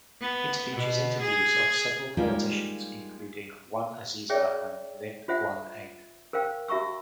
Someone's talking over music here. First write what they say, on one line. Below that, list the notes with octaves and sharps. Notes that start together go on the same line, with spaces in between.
It features interviews of several politicians including Wan Azizah and Lim Guan Eng.
B3
B2
G#4
G3 G#3 A#3 D#4 F4 G4
G#4 C#5 D5 E5 G5
F4 C5 E5 F#5
A#4 C5 F5 G5
F#4 E5 A#5 C#6 E6